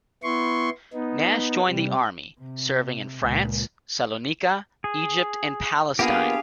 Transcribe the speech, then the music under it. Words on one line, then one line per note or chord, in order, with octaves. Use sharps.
Nash joined the army, serving in France, Salonika, Egypt and Palestine.
B3 E4 C6 C#6
B3 D#4
C3 G3
C3
C#2 A#2
G#4
A#3 B3 D4 F4 G4 G#4 F5